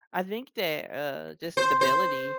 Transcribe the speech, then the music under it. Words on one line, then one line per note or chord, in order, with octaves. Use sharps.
I think that, uh, just stability,
C5
C5